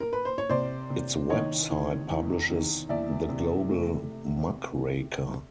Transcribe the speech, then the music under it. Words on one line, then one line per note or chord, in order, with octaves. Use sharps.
Its website publishes "The Global Muckraker".
A#4
B4
C5
C#5
C3 C5 D5
C3
D#3 C#5 D#5
D#3
E2
D#3
E2 D5 E5
C3
A3